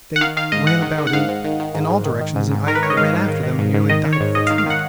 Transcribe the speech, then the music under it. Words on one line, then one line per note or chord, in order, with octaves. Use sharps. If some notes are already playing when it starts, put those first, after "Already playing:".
They--ran about in--in all directions, and I--I--ran after them and nearly died of fatigue.
F#5
D#3 F5
D#3 F5
G#2 D#5
G#2 F#5
D#3
D#3
F#5
G#2 F5
G#2
D#3
D#3
G#2
G#2
D#3
D#3
G#2
G#2
D#3 A#4
B4
D#3 C#5
D#5
G#2 F5
G#2
D#3
D#3
G#2
G#2
D#3 D#5
D#3
C#5
G#2
G#2 D#5
F5
D#3
F5
D#3 F#5